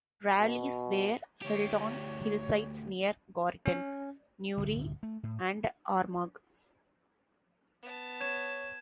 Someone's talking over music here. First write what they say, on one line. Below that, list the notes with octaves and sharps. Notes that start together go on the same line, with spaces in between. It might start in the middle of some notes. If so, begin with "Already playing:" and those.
Rallies were held on hillsides near Gortin, Newry, and Armagh.
B2
D2 G4 C#5
C#4
G1 D2 A2 C3
A3
A2
B3 A5
C#5 G#6 E7